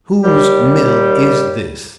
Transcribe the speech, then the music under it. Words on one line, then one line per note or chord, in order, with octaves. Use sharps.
"Whose mill is this?"
D#2 G3 G4